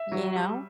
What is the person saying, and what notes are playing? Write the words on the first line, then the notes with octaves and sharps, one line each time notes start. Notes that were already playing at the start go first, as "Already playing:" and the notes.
You know?
Already playing: E5
F#3
G3